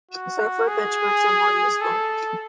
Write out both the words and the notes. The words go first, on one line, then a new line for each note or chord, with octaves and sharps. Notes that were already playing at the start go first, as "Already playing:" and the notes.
Software benchmarks are more useful.
F#4
G#4
A4